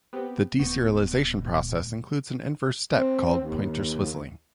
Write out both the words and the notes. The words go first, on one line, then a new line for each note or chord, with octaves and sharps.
The deserialization process includes an inverse step called "pointer swizzling".
B3 C4 G4
D1 B3 C#6 G6
D#1 G#3
C4
D#2